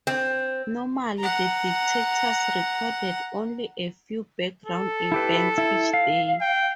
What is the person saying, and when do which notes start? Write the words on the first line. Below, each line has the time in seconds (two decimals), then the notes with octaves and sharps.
Normally, the detectors recorded only a few background events each day.
0.07 C4
1.19 F#5 A#5
4.66 A4
5.12 E4 G4 B4
5.58 E4
5.94 F5
6.41 G5